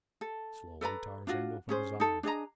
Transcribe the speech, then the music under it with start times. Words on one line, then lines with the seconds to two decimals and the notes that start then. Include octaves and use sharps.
Slowly Tarzan opened his eyes.
0.21 A4
0.81 A4 B4 D5 A#5
1.27 D4 F4 F#4
1.69 C#4 G#4 C5
2.00 D#4 A4
2.23 D4 G#4 D#5 A#5